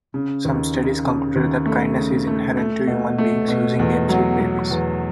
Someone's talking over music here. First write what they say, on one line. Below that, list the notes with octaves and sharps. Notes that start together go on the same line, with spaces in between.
Some studies concluded that kindness is inherent to human beings, using games with babies.
C#3
D#2
C#3
C#3
D#2
A3
C#3
A3
A3
B2
A3
B2
E2
F#3
F#3
E2